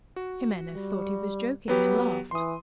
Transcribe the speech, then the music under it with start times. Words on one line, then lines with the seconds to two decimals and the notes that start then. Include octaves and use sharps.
Jimenez thought he was joking, and laughed.
0.16 F#4
0.73 G3
1.68 F#3 B3 G4 B4
2.31 E3 C6 D#6